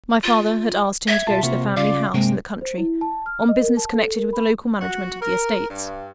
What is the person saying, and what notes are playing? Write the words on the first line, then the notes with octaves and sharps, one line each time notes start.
My father had asked him to go to the family house, in the country, on business connected with the local management of the estates.
F4
E5 G#6
B1 F4 A5
C3 A#3 F4 F#4
C#3 F4 D5 F5
G2 C3 G#3 A#3 G5
C5
E4
A5
F6
D#5
A#4
A5
A4
A#4
B5
F#4
A#4
G2